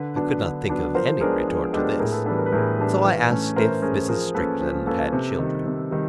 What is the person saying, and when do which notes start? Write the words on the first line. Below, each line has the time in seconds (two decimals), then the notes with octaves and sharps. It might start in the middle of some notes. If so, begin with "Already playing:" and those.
I could not think of any retort to this, so I asked if Mrs. Strickland had children.
Already playing: D3 B4
0.16 F#3 B3 D4
0.42 D3
0.69 F#3 B3 D4
0.94 F3 A#4 C5
1.21 G#3 B3 D4 G#4 A#4
1.47 F3 G#4
1.73 G#3 B3 D4 G4 A4
1.99 A2 G#4 A#4
2.12 A4 B4
2.26 E3 G3 B3 D4 A4 B4
2.38 A#4
2.46 B4
2.52 A2 G#4 A#4
2.78 E3 G3 B3 D4
3.04 E3
3.30 A3 C#4
3.56 E3 A#4 C5
3.82 A3 C#4 G#4 A#4
4.08 F3 G#4 A#4
4.34 A#3 C#4 A4 B4
4.61 F3
4.86 A#3 C#4 A4 B4
5.13 C3
5.39 D#3 G3
5.66 C3
5.91 D#3 G3